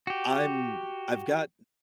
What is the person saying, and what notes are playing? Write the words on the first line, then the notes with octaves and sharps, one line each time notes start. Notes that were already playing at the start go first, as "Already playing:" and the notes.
I'm I've got
F#4 G4